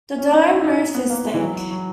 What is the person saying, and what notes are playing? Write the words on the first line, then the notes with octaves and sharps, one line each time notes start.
The dome roof is thick.
C#4
D#4
E4
D#4
B3
A#3
G#3
E3
F#3
F#3